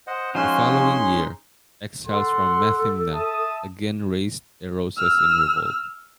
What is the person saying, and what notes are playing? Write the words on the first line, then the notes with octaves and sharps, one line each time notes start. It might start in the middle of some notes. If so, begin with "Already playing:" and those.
The following year, exiles from Methymna again raised Eresos in revolt.
C5 D#5 F#5
F3 G#3 C#4 D#4 F4 F#4 C6
A4 F#5 C6
E5 A5 D#6
E6 F6